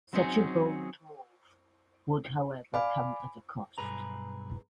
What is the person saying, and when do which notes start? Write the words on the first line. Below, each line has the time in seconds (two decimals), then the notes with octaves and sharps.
Such a bold move would however come at a cost.
0.13 F#3 C4 C#4 D#4 F#4 G#4
2.74 D5 F5 G#5 B5 D6
3.78 B1 G2 G#4 B4 A#5